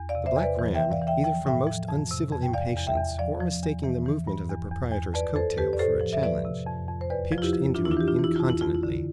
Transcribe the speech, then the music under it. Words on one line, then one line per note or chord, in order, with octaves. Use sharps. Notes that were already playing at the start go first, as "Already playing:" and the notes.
The black ram, either from most uncivil impatience, or mistaking the movement of the proprietor's coat-tail for a challenge, pitched into him incontinently.
Already playing: E2
D5 F5
C3
C5 E5
E2
B4 D5
E3
E5 G5
E3
D5 F5
E3
E5 G5
F3 G5
A2 E5 G5
F3
F2
C3
F2
G5
E2 D5 F5
E2
E5 G5
E2
F3 D5 F5
F3
E2
E3
E3
G2
E2
E2
E2
F2 B4 D5
F2 A4 C5
F2 G4 B4
D5
A2 A4 C5
F3
E5
F3 B4 D5
C3
F2
F2
C5
E2 B4 D5
F3
F4
E4 G4
F3
E3 D4 F4
E4
D4 F4
E3 G4
D4 F4
E3
E4
F2 F4
E4
F2 F4
E4
D3